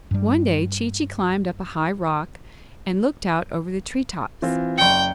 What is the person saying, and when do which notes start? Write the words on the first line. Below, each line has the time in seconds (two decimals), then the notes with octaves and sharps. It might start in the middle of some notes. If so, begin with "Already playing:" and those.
One day Chee-Chee climbed up a high rock and looked out over the tree-tops.
0.11 G2 G3
4.42 E3 C4 F4
4.78 F#1 D5 G5 C#7